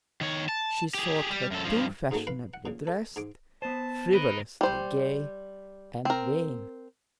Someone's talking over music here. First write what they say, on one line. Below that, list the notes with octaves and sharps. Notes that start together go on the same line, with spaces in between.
She thought her too fashionably dressed, frivolously gay and vain.
D#3 C#5
A5
G4 G#4
G3
F#2 A4
G2 F3
G#2 C#3 F#3 A3 A#3
B4 F5 B5 C6
F#5
A#2 C#3
A4
G#2 G#5 D6
B3 C5 A5
A#4 B4 D#5
G3 C5
C4 A#4